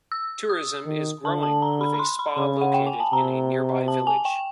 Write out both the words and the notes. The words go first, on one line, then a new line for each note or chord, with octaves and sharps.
Tourism is growing, with a spa located in a nearby village.
E6
D#6
D#3
D3 A5
A5
A#5
B5
B5
C6
B5
C#3 B5
F#5
G5
G#5
A5
C3 A#5
A5
G#5
G5